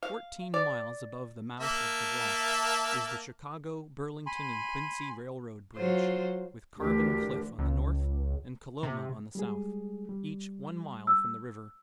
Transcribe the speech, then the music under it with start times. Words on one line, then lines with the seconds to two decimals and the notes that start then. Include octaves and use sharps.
Fourteen miles above the mouth of the Rock, is the Chicago, Burlington and Quincy railroad bridge, with Carbon Cliff on the north and Coloma on the south, each one mile from the river.
0.03 F5
0.54 D5
1.60 A#3 E5 A5
4.26 G#5 B5 C6
5.76 F#3 F4 C5
6.79 D2 D3 E3 D4 G4 A#4
7.59 C#2
8.83 C3
9.35 G3 G#3 G#4
10.09 G3
11.07 E6